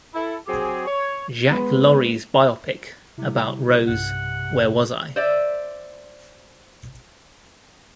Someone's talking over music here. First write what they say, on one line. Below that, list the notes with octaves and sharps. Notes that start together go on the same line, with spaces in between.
Jacques Laurey's biopic about Rose, Where Was I?
E4 A4
F#3 C4 G4 G#4
C#5
G#3 B3 B4
C3 G3 E4
B1 G2 F#5
C5 D5 E5